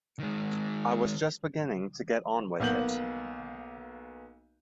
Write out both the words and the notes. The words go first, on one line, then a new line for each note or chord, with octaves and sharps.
I was just beginning to get on with it.
D#3 G#3
B1 A#3 B3 G6 F#7